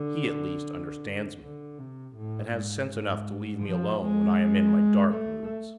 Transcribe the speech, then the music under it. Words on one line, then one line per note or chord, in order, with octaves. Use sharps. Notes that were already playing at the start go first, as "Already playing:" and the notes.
He, at least, understands me--and has sense enough to leave me alone when I am in my dark moods.
Already playing: D3
D3
C3
A2
G#2
G#2
F3
G#3
A3